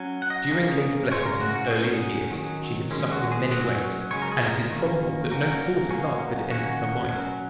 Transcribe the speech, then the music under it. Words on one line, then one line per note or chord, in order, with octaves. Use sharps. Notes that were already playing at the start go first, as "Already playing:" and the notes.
During Lady Blessington's earlier years she had suffered in many ways, and it is probable that no thought of love had entered her mind.
Already playing: F#3 C#4
F#5
D#5
C#3 A#3 C#4
C#3 G#3 C#4 C#5
A#4
F#4
F#4
F#3 C#4 G#4
D#3 F#3 C#4
D#3 G#3 C#4
F#4
G#4
F#3 C#4 F#4
C#3 G#3 C#4 C#5
A#4
G#4
A#4
D#3 A#3 C#4
F#3 A#3 C#4 A#4
F#3 A#3 C#4
D#3 A#3 C#4 F#4
F#3 C#4